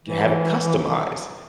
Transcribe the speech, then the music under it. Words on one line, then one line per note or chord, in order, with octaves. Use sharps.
ge have it customized.
E3